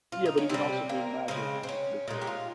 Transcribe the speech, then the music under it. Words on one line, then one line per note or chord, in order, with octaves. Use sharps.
Yeah, but he can also do magic, which is pretty cool.
F4
D#4
C#4
C3 G3 C4
A#3
C#3 G#3 C4
C4
C#4
A#2 G#3 D#4
G4
F4